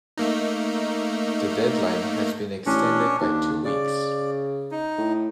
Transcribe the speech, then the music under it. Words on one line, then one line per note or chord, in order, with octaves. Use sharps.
The deadline has been extended by two weeks.
A3 A#3 D#4
A1 C#4 D4
D#2 D4
C#3 D5
D#4
A2